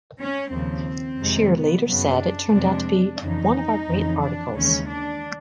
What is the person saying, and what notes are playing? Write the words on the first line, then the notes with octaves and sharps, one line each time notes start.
Scheer later said it turned out to be "one of our great articles".
C#4
D#2 C#3 F3 C4
F2 C3 D#3 G#3
B3
F#2 C#3 F#3 B3
D4
F2 C3 F3 G#3
F2 C#3 E3 D#4
F2 C#3 E3
D4
D#2 C#3 E3 G#3 C#4
D4